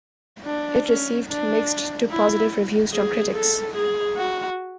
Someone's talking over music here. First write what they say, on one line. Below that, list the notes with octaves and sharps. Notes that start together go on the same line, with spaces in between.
It received mixed to positive reviews from critics.
D4
C#4
D4
E4
G#4
A4
G#4
F#4